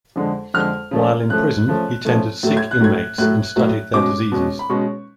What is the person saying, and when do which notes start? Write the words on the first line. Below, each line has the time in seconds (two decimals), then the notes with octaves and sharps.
While in prison, he tended sick inmates, and studied their diseases.
0.16 F2 D3 G#3
0.54 F2 D3 G#3 F6
0.91 C#3 F3 A3
1.29 C#3 F3 A3 F#6
1.68 C#3 F3 A3
2.05 C#3 F3 A3
2.43 A2 F#3 A3
2.57 G#6
2.71 F#6
2.81 A2 F#3 A3 G#6
3.18 A2 F#3 A3 F#6
3.56 A2 F#3 A3
3.94 B2 G#3 C#4 D6
4.32 B2 G#3 C#4
4.59 B5
4.70 B2 G#3 C#4 C#6